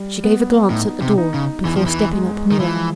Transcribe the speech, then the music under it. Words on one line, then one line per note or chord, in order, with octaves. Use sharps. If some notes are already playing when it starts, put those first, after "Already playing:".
She gave a glance at the door before stepping up nearer.
Already playing: G3
B3
A2 D#4
C3
D#4
C#3
E2 E3
F3
E3
G#3
D#3
E3 F3